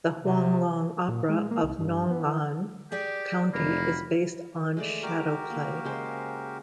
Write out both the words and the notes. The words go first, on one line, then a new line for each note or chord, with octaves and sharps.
The Huanglong opera of Nong'an County is based on shadow play.
C3
A#2
G#3
A#3
C2
G2
B3
E3
G4 G#4 D5 G5
F1 A#3 B5
G#3 A3 D5
F#4 G4 A#4 D5 A#5 D6
A#3
C#3 G#3 C5